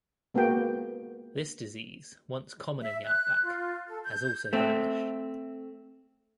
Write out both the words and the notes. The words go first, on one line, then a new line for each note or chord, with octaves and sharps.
This disease, once common in the outback, has also vanished.
G#3 A#3 B3 F#4 G5
E5
F#6
F4
A4
G6
A3 C4